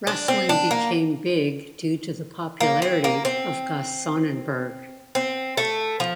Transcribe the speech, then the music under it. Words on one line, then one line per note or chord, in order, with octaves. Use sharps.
Wrestling became big due to the popularity of Gus Sonnenberg.
D4
C4
D4
A#3
A#3
C4
A#3
C4
C4
A3
F3